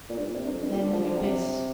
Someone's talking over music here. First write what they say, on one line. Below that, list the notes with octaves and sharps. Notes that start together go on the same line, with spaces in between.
Then the abyss.
A#2
G2
A#2
C3
G2
F2
G2
A#2
D3
F3
D3
C3